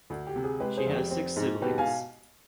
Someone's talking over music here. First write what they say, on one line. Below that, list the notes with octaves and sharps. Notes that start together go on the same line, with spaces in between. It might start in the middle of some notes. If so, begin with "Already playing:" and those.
She has six siblings.
D2
G4
C3
G#4
G#3 G4 B4
G#4 C5
F1
G4
C4
G#2
B2 G4 B4
F5 G#5